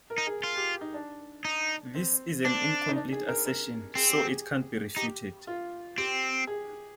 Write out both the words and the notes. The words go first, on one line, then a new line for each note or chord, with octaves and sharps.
This is an incomplete assertion, so it can't be refuted.
A#4
D#4
G#4
F4
G4
D#4
D4
D#4
C4
C4 D4
D#4
D4
G#4
A#4
A#4
C4 G#4
G4
G#4
D#4 G4
F4
C4 G4
G#4